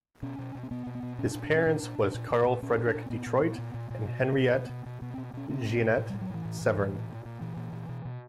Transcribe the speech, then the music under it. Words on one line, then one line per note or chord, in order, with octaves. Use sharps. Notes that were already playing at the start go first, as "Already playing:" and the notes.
His Parents was Carl Friedrich Detroit and Henriette Jeanette Severin.
B2 C#4
B2
B2
C4
B2 B3
B2
B3
B2
A#2 C#4
D4
A#2
D4
A#2
C#4
A#2 D4
A#2
A#2
A#2
A#2
A#2
A#2 C#4
A#2
D4
A#2
C4
A#2 B3
A#2
A#2
A#2
A#2
A#2
B2
B2
B2
B2
B2
B2
B2 B3
C4
B2
B2 C#4
B2 C4
B2
B2
A2
G3
A2
F#3
A2 E3
A2
A2
A2
A#2
A#2
A#2
A#2 E3
A#2
A#2
B2
B2